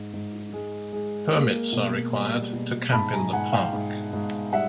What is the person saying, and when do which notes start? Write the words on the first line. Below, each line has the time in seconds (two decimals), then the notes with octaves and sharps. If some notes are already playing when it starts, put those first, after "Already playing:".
Permits are required to camp in the park.
Already playing: G#2
0.14 G#2
0.53 G#3
0.93 G#3
1.33 A#3
1.73 B2
2.13 G3
2.53 B2
2.92 G#2 A5 B5
3.13 G#5 A#5
3.33 G#2 F#5 G#5
3.52 F5 G5
3.73 G#2
4.13 G#2
4.52 G3 E5 F#5